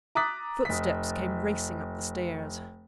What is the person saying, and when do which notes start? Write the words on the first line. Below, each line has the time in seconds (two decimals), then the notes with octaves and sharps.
Footsteps came racing up the stairs.
0.15 A#5 D6 D#6 F#6 A6 B6
0.65 F1 B6